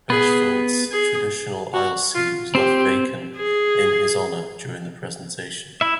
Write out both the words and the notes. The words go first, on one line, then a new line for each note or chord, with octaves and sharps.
Hirschfeld's traditional aisle seat was left vacant in his honor during the presentation.
B3 G#4 B4
G#4
F#4
F4
C4 G4 C5
G#4
E4 E5